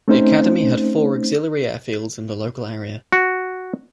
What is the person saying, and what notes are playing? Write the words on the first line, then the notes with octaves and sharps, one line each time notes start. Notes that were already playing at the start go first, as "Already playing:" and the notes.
The Academy had four auxiliary airfields in the local area.
A3 C4 C#4 D#4 C5
F#4